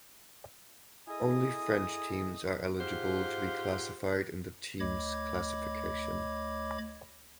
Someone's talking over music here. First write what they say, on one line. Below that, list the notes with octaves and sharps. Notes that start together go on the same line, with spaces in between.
Only French teams are eligible to be classified in the teams classification.
E4 G#4 A4 D#5 G#5 D#6
G#2 F4 G4 C5 F5 F#5
D2 C#5 D#5 B5 D6 G#6